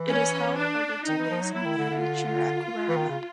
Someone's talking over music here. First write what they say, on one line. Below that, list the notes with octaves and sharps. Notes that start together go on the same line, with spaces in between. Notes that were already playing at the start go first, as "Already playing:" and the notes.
It is held over two days in May each year at Cowaramup.
Already playing: E3
C#4
D4
D#3 D#4
E3
F3
F#3
F#3 E4
D#3
D3
D3
F4
E3
D#3
C#3